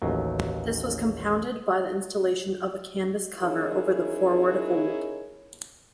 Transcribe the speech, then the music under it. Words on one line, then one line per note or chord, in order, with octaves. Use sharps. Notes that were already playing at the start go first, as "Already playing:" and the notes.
This was compounded by the installation of a canvas cover over the forward hold.
A1 D#2 F#3
C#4 D#4 E4 G#4 A#4 C#5